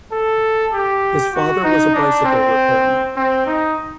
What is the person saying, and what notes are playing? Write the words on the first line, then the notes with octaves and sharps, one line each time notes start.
His father was a bicycle repairman.
A4
G4
F#4
D#4
D4
C4
C4
D#4